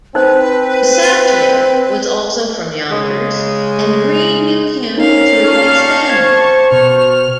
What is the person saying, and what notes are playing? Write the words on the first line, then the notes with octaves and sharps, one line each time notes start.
Bissacia was also from Yonkers and Greene knew him through his family.
C4 D#4 B4 C5
C#3 G#3
F3 C4 C#4 D#4 A#4 F5
A#2 G4 A5 C#6 F6
C5 G#6
B2 F6